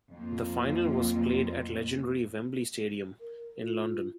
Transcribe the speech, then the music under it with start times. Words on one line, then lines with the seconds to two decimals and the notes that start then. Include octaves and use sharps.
The final was played at legendary Wembley Stadium in London.
0.12 F2 A#3 C4 F4
3.20 A#4
3.61 F4